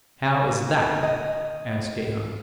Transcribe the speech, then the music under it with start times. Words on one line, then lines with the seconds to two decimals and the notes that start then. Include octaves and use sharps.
"How is that?" asked Gahan.
1.03 D#5